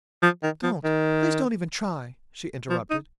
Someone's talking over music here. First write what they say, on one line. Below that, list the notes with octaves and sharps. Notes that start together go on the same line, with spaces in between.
"Don't--please don't even try," she interrupted.
F3
D#3
F3
D#3
F3
D#4